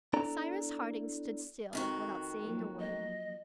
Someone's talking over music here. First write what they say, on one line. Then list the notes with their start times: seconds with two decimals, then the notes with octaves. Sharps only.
Cyrus Harding stood still, without saying a word.
0.13 B3 D4 E4 A4 D5 A#5
1.73 F2 D#3 F#4
2.44 F3 F#3 A#3
2.80 D#5